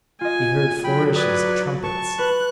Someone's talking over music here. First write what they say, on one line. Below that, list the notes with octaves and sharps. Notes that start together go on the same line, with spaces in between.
He heard flourishes of trumpets.
F4 D#5 G#5
F#3 G5 B5
B4 D5 B5 D#6 G#6
A5 C#6
B4 F#6